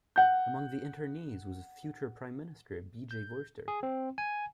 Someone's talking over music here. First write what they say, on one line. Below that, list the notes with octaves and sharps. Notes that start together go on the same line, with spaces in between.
Among the internees was future prime minister B. J. Vorster.
F#5 G6
G6
G#4
C4
G#5